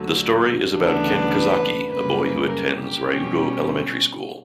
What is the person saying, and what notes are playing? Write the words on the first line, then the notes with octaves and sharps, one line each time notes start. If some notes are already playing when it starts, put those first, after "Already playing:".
The story is about Ken Kazaki, a boy who attends Ryudo Elementary School.
Already playing: D2 D3 F#3
D2 C#3 E3 B3 D4
B4
F#2 C#3 G3 A#3 B4
A#4
G4
B2 G3 C#4